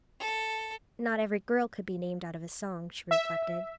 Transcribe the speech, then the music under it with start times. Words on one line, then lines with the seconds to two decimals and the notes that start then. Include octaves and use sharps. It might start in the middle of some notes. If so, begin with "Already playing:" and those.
Not every girl could be named out of a song, she reflected.
0.20 A4
3.11 E5